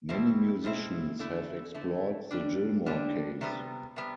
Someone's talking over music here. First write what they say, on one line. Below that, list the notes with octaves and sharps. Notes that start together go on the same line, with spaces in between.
Many musicians have explored the Gilmore case.
B2 G3 C4 E4
B2 G3 C4 E4
D3 A3 E4
D3 A3 E4
D3 G3 D4
D3 G3 D4
C3 G3 B3
C3 G3 B3